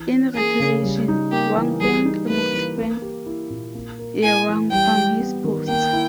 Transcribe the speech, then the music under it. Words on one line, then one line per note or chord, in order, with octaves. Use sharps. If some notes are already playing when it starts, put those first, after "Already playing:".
In retaliation, Wang Feng removed Feng Yewang from his posts.
Already playing: E3
C#4
A#3 G#4
C#3
G3
D#4
A#3 G4
E3
G3 G#4
D#4
A#3 B4
E3
A#3
G4
E4
A#2
A#3
A#4
E4 G#5
E3
G3 G5
G4
B3
D#3
A#3 G5
E4